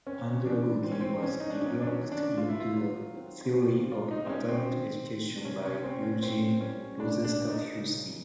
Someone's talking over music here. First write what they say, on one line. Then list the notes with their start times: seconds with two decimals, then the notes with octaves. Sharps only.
Andragogy was developed into a theory of adult education by Eugen Rosenstock-Huessy.
0.07 C4 C#4
0.45 E3 D4
0.84 E3 C4
0.92 C#4
1.00 C4
1.22 E3 C#4
1.40 D#4
1.50 D4
1.61 F#3 C#4
1.82 D4
1.87 C#4
1.99 D#3
2.12 D4
2.37 D#3 F4
2.49 E4
2.60 F4
2.76 F#3
3.14 C4
3.53 C4
3.91 G#3 F4
4.11 D#4
4.25 C4
4.29 G#3 C#4
4.49 C4
4.68 D#3
5.07 C4
5.45 C3 C#4
5.65 C#4
5.84 C4
6.03 C#4
6.22 A#2 C4
6.61 G3 C#4
6.99 A#2 D4
7.24 D4
7.38 A#2
7.50 D#4
7.76 C#3